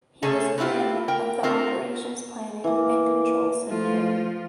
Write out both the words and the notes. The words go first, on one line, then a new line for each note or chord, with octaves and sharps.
He was commander of the Operations Planning and Control Center.
C3 A3 C#4 G#4 A4
B3 C4 E4 F4 G4
A#4 G5
A3 C4 F4 A#4
E3 A#3
F3 A3 E4 F4 A4